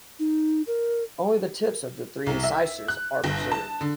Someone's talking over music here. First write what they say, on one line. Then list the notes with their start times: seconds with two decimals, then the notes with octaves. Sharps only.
Only the tips of the three incisors are preserved.
0.19 D#4
0.67 A#4
2.26 C2
2.43 E5
2.88 F#6
3.24 G1
3.52 A5
3.81 D3